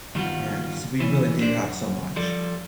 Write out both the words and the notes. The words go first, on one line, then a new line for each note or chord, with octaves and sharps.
and 'cause we really do have so much,
G2 D#3 G3 B3 F4 F#4
E3 G3 C#4
D4 G4 C5 D5
F#2
F3 G3 A4 D5